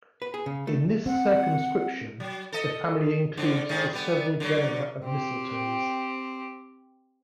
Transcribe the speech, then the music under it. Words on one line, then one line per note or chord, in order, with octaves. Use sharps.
In this circumscription, the family includes the several genera of mistletoes.
B4
G#4
C#3
A3
C4 F#5
F#3
A4 D#5
G#2 D3
G#2 D#3 G#4
G3 B3
D3 F#3
C4 G4